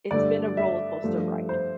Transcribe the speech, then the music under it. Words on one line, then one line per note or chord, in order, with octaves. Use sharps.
it's been a roller coaster ride.
G2 D3 A3 D5
E5
G2 F3 A3
C5